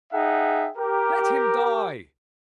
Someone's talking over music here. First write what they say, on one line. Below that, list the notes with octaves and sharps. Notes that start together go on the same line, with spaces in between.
'Let him die!
D#4 G#4 E5 F#5 G5
G4 A#4